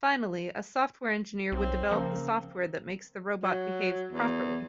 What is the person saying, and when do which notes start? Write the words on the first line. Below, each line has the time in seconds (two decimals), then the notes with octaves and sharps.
Finally, a software engineer would develop the software that makes the robot behave properly.
1.52 B1 C4
1.91 C#3 F3 A#3
3.43 F#3
4.12 E2